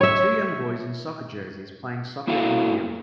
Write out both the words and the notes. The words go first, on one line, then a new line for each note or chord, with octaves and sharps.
Two young boys in soccer jerseys, playing soccer in a field.
C#5 E5
A#3 E4 F#4 A4 F5